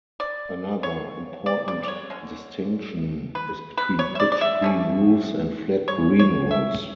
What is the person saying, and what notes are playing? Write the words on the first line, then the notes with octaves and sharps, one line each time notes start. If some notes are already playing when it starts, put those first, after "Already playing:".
Another important distinction is between pitched green roofs and flat green roofs.
D5
C#5
D5
D5
D5
C#5
D3 G#3 C#4
B4
B4
C#5
E5
D5
D5
E5
B2 A3 C#4
C#5
C#5
E5